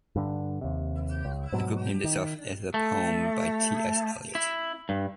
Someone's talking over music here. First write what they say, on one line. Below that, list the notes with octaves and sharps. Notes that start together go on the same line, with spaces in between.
The group named itself after the poem by T. S. Eliot.
G2 D3
D#2 C3
C#2
G#2 B2 F#3
D#3
A3
E4
G2